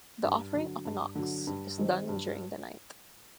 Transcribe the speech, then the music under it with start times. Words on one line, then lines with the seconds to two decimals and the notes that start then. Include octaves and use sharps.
The offering of an ox is done during the night.
0.23 G2
0.54 D3 F#3
0.85 G2
1.15 D3 F#3
1.47 G2
1.78 D#3 G3 C4
2.09 G2